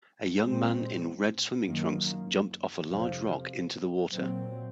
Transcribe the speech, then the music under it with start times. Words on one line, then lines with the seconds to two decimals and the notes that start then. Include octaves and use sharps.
A young man in red swimming trunks jumped off a large rock into the water.
0.41 A#2 G#3 C4
1.64 F#2 D#3 A#3
2.88 F2 C3 F3
4.12 A#2 F#3 C4